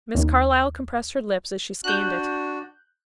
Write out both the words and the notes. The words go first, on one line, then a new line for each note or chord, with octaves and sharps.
Miss Carlyle compressed her lips as she scanned it.
D#2
D4 F#4 F#6 G6